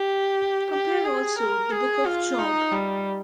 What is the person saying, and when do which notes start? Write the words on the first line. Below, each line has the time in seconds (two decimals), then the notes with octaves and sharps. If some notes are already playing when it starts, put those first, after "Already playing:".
Compare also the Book of Job.
Already playing: G4
0.71 G4
1.04 G#4
1.38 A#4
1.70 G#4
2.05 F4
2.38 D#4
2.71 G3